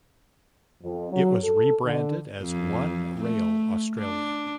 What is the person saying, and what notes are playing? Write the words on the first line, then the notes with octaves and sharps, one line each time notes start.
It was rebranded as "One Rail Australia".
F2
F#3
A4
D3
F2
A3
D4